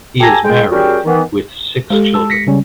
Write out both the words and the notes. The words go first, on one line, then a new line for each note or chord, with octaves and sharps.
He is married with six children.
G4 A4 G#5 A#5
G#3 G5
G3 C#4 F#4 G#4 A#4 G5
D#3 E3 B3
G#3 G4 A4
A5 E6
A#6 B6 C#7
C#3 G3 C#4